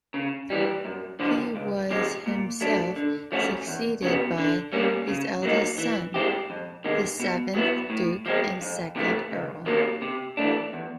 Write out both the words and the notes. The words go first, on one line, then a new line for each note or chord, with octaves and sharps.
He was himself succeeded by his eldest son, the seventh Duke and second Earl.
C#3
E3 G3
F#2
D3 F3
C#2
C3 F3 G#3
A#2
F#3 A3 D4
D3
F3 A3 C#4 F#4
E2
C#3 F#3 B3
D3
G3 A#3 C#4
C#3
F#3 A#3 D#4
E3
G#3 C4 E4 G4
F2
C3 D#3 G#3
B2
F#3 B3 E4
A2
F3 G#3 C4
F2
C3 E3 A3
C#2
C3 D#3 F#3 A#3
C3
E3 A3 D4
E2